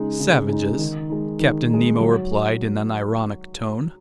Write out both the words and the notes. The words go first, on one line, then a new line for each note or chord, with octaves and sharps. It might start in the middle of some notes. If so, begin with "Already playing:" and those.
"Savages!" Captain Nemo replied in an ironic tone.
Already playing: C#3 G#3 D#4
C#3
G#3 D#4
D#3
G#3 D#4
D#3
G#3 D#4
F#3